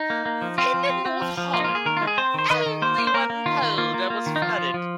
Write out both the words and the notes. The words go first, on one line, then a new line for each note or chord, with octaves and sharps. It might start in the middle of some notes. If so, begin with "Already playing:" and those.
In North Holland only one polder was flooded.
Already playing: D#4
A#3
A#3
F3
C4 F4
F3
C4
C4
F3
F3
A#3 F4
D#4
F4
A#3
G#4
D#3 A#4
G#3 F4
G#4
C4 C5
D#3 C5
D#3 D#5
D#3
A#3 C5
A#3
C5
A#3 A#4
A#3
D#3 F4
D#3
A#3 F4
A#3
A#3
D#3
D#4
F3 F4
F3
F3